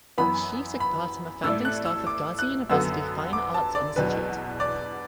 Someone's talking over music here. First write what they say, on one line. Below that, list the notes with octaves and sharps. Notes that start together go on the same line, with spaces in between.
She took part in the founding staff of Gazi University Fine Arts Institute.
F#2 E3 B3 B5
B5
A2 A3 E4 A4 D5 E6
F#6
E6
D6
F#6
F#2 D3 B3 F#4 A4 E6
D6
A5
D5
E2 B2 F#3 D4 B4
D5